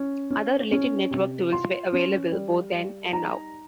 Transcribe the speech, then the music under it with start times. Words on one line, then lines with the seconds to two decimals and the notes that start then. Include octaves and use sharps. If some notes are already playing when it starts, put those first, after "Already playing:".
Other related network tools were available both then and now.
Already playing: C#4
0.30 C#4
0.72 C#4
1.11 C3
1.52 F4 C6
1.93 C#4
2.32 G3
2.72 G3
3.12 D#4 A#5